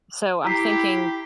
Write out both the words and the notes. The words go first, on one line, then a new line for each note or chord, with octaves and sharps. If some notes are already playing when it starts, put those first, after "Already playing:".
So, I'm thinking
E4 G4 A#5 B6 C7